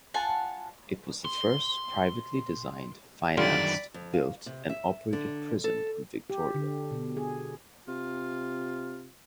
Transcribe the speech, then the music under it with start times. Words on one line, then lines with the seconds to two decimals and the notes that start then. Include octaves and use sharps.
It was the first privately designed, financed, built and operated prison in Victoria.
0.14 F4 F#5 G#5 A5
1.25 C6
3.37 F#2 D3 D#3 G3 F4 D5 B5
3.94 F2
4.13 F5
4.46 C3
4.70 E5
5.13 D3
5.64 A4
6.30 G4
6.54 D3
6.91 B2
7.17 G#4
7.88 C3 F4